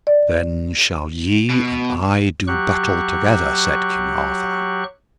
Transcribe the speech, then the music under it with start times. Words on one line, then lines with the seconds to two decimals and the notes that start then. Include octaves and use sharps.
Then shall ye and I do battle together, said King Arthur.
0.07 D5
1.50 B2
2.47 F#3 G4 C#6 F#6